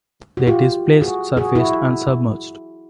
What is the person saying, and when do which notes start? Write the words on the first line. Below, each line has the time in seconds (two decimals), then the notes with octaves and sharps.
They displaced surfaced and submerged.
0.37 F#4
0.47 F4 G4
1.01 F#4 G#4
1.37 F#4 G#4
1.55 E4 F#4